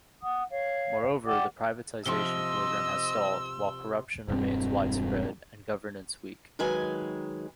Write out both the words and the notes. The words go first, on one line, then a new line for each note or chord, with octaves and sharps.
Moreover, the privatization program has stalled, while corruption remains widespread and governance weak.
F#5 D#6
C#5 F5
G4 D5 F#5 D6
C3 F3 C4 D#5 C6 E6 G7
E1 G2 C4
D#3 F#3 G#3 B4 G#5